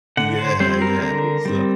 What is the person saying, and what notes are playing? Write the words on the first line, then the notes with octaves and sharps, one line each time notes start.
Yeah, yeah, so.
D3 F#5
C5
G3 C4 C5
A#4
D3 A#4
G3 C4